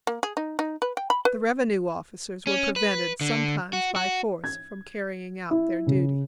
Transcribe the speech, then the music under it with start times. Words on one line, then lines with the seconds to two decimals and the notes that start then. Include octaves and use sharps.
The revenue officers were prevented, sometimes by force, from carrying out their duties.
0.07 A#3
0.23 G#4
0.37 D#4
0.59 D#4
0.82 B4
0.97 G5
1.10 B5
1.25 B4
2.47 C#4
2.76 B4
3.21 D3
3.73 F#4
3.96 F#4
4.44 G#6
5.51 E4
5.87 C#3